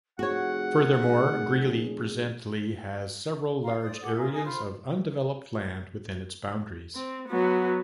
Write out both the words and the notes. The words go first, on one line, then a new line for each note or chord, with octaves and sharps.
Furthermore, Greely presently has several large areas of undeveloped land within its boundaries.
F1 F#4 G#4 C#5 F#5
F4 F5 A#5
C5 D5 D#6
G#4 A4 F#5 D6
F4 G#4 A#4 E5
D#4 G#4 A#4 D#6
F4 C5 B5 C6
C4
F#3 B3